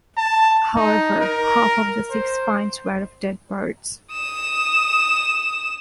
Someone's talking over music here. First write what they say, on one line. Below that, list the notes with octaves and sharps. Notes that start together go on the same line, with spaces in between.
However, half of the six finds were of dead birds.
A5
D#4
A#4
C5
D#6 E7